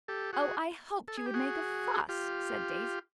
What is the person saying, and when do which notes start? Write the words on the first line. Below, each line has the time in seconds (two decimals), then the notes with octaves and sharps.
"Oh, I hoped you would make a fuss!" said Daisy.
0.08 G4 A4
0.33 F#4 G#4
1.08 A4
1.17 G#4
1.26 G4
1.34 F#4 G#4
2.09 F4 G4